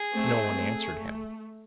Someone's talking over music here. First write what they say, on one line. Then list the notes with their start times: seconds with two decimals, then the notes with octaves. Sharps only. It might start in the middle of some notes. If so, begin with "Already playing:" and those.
No one answered him.
Already playing: G#4
0.12 A3 C4
0.58 A3